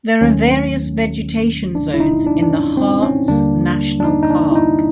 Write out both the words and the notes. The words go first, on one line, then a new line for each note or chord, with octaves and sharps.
There are various vegetation zones in the Harz National Park.
D#2 D#3 F#3 A3 C#4
D4
E4
D#4
D4
D4
C#4
C4
C#4
D#2 D3 G3 A#3 D4
D4
D#4
D#4
D4
E4
D#4